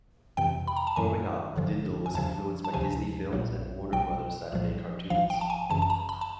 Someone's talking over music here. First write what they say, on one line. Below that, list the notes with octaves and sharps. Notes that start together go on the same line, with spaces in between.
Growing up, Dindal was influenced by Disney films and Warner Brothers Saturday cartoons.
F2 C3 E3 G5
B5
A#5
A5
F#2 D#3 F#3 G#5
G#1 G2 D3 F3
G#5
E2 C#3 F3 A5
A5
D2 C3 F3 G#5
A#1 A#2 F#3
B1 B2 F#3 G5
C2 A#2 F3
G#1 G#2 F3 F5
G5
A5
G#5
G1 F#2 C#3 E3 A5
A5
A#5
B5
A5